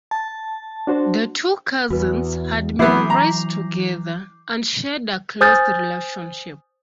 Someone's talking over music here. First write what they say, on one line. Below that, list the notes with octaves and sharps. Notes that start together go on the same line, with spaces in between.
The two cousins had been raised together and shared a close relationship.
A5
D4 F#4 C5
E2 F#4 B4
E3 F#3 B3 E4 D6 G6 C7
A#5
C5 G#5 D#6 F6 G6 A6